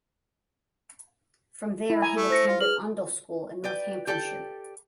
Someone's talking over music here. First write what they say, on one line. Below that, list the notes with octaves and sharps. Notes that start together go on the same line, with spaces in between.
From there he attended Oundle School in Northamptonshire.
E4
G#5 A#5
A3 A4
C5 A#6 C#7
F4
G#4 B4 F6 F#7
B4 D5 G5
G4 A4 D5 G5